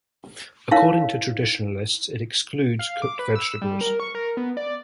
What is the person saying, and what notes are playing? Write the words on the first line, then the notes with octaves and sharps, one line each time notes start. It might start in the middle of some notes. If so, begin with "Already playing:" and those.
According to traditionalists, it excludes cooked vegetables.
D#4 E4 A#4 C#5 F5
F5
D6
B4
E6
G3
A#4
C#6
A#4
B3
D5